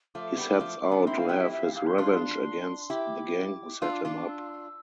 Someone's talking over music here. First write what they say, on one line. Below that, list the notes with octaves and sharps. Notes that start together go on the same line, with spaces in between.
He sets out to have his revenge against the gang who set him up.
F3 A3 D6
G3 B3
F3 A3
B3 D4
C4 E4 C6
F5
E4 G4 G5
E5
E5
F5
F5
C6
D4 F4
E4 G4 D6
D4 F4 E6
D6
D4 F4 D6
D6
E6